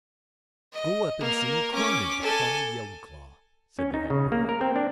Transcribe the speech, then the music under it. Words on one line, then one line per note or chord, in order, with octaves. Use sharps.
Go up and sing a cronan to Conall Yellowclaw,' said the head bard.
D#5
A#3 A#4
C#4 D6
A4 G#5
C#4
D#4
C#3
A#3
A#4
C4
D4